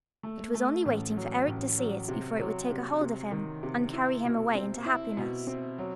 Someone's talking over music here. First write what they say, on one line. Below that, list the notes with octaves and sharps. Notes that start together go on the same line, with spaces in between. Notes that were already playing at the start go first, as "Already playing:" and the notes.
It was only waiting for Eric to see it before it would take hold of him and carry him away into happiness.
A3
A3
A1
F#3
A1
F#3
C3
F#3
C3
C3
D#3
C3
E4
B2
C4
E4
B2
C4
F#3